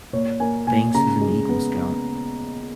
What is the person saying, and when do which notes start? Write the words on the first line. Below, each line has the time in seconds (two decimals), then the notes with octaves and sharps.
Banks is an Eagle Scout.
0.13 A#2 C#5
0.40 A#3 G#5
0.67 A#2 G#5
0.94 C#3 A#5
1.21 G#3
1.49 B3